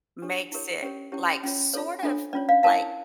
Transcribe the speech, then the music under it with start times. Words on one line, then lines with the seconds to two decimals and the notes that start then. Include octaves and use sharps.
makes it, like, sort of, like,
0.22 D4 G4 C#5
0.52 E4 G4 A#4 C#5
0.82 C#4 G4 A#4 C#5
1.12 C#4 E4 G4 C#5
1.43 C#4 F4 C#5
1.74 F4 A4 C#5
2.03 D4 F4 A4 C#5
2.33 C#4 F4 C#5 D5
2.49 D5 F5
2.63 E4 A#4 C#5 F5 A5